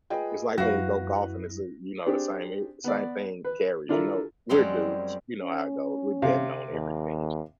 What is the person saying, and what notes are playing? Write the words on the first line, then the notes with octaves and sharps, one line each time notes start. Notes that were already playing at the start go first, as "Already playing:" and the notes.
it's like when we go golfing, it's, uh, you know, the same i same thing carries, you know, we're dudes, you know how it goes, we're betting on everything.
F4 G#4 B4 D#5 G5
F#2 E4 F#4 B4 F5 A#6
C4 D4 G4 G#4
B3 D5
B4
D4 E4 F4 A4 A#4 E5
F#2 G3 G#3 C4 C6
C#4
C3 F5
D#2